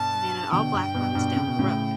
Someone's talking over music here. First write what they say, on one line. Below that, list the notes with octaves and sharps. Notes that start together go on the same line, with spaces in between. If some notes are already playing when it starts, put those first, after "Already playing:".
A man in all black runs down the road.
Already playing: G2 B2 A5
B2 D3 G5
G2
G2 B2
G2 B2
C#3
B2
A2 C#3